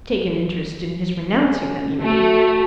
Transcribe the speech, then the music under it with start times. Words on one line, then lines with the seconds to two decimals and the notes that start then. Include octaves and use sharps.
"Take an interest in his renouncing them, you mean?"
1.33 C#4
2.01 A3 F#4